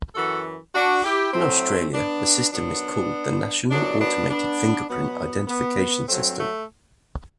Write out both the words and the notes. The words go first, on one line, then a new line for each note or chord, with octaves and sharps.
In Australia, the system is called the National Automated Fingerprint Identification System.
F#2 E3 F#4 A4
D4 F#4
E4 G4
A2 F#3 A3 C4
B3 D4
F#2 F#3 B3 D4
F#2 F#3 B3 D4
B3 D4
B3 D4
B2 F#3 B3
B3
G2 F#3 A3 C4
A3